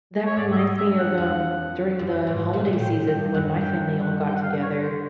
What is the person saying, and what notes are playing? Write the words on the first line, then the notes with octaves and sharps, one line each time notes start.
That reminds me of, um, during the holiday season when my family all got together,
C#5
G#2 D5
E5
D#5
G2 E5
F#5
F2
F#2
G#2
A#2
B2
A#2
A2 G5
G2 G5
F#2 F#5
G2 G5
F#5
G5
F#5
F5
C#5
C5